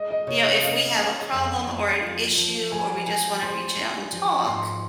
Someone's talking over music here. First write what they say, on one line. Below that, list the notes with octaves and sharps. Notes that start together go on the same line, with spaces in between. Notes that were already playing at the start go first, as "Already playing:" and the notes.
you know, if we have a problem or an issue or we just wanna reach out and talk,
Already playing: G#3 D#5
D#5
C3 C#5
D#5
C#4 F5
G#4
F2
F2
F4
F3
F3 G#5
F3 G#5
C4 C6
G3
F3
G#2 C6